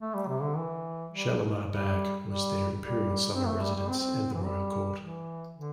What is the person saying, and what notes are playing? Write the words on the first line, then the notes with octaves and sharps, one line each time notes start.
Shalimar Bagh was their imperial summer residence and the Royal Court.
A3
G3
C3
D3
E3
G3
G3
G3
G3
C4
A3
G3
G3
C4
E3
G3
E3
D3